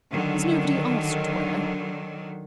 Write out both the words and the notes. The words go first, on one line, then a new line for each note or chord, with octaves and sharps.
"Has nobody asked where?"
D3 D#3 F#3